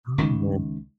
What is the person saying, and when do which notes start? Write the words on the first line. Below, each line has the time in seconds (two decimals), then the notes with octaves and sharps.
Oh, man.
0.18 C#2 D#3